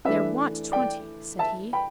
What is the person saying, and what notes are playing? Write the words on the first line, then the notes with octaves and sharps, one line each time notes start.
"There want twenty," said he.
E3 A3 D4 B4 E5
D5 G5
E5 A5
G5 B5